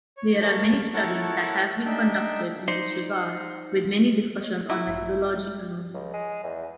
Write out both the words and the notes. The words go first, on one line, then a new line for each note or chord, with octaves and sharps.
There are many studies that have been conducted in this regard, with many discussions on methodology alone.
C#5
A#3 C#5 A5
E4 A4 A#4 C#5 F#5 A5
D4 D#4 E5 G5
D#4 C5 D5
C#5 D#5
F#3 E4
A1 G2 F4
G#3
C#2
G#3
E2